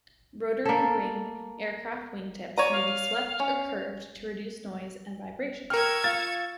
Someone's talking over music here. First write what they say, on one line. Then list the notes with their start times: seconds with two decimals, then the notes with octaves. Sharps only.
Rotary wing aircraft wingtips may be swept or curved to reduce noise and vibration.
0.65 A#3 A4
2.58 C#5 D5 A#5 D#7
2.72 F5
3.40 C#4
5.70 A#4 G5 C#6 E6 F6 G#6
6.04 F4 F5 A6